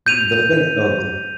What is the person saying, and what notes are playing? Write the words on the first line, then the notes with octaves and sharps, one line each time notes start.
M The Flintstones.
G6 D#7 F7